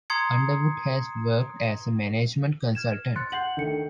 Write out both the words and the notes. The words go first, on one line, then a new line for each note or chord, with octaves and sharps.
Underwood has worked as a management consultant.
A#5 C6 D#6 G#6 C7 C#7
F6 G#6 E7
C6 F#6 A6 C#7
F#5 G6 C7 F#7
D#3 A3 D4 A4 C#7